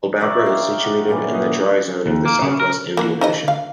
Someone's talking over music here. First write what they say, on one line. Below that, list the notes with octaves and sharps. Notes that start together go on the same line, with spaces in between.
Aldabra is situated in the dry zone of the south-west Indian Ocean.
D#4 C#5 D5 E5
G4 F5
F#5
G2 A#2 E3 F#3
D#5
D#2
A#3
C#3
A#4
A#3 F#4
D#4 C5 D#5
F5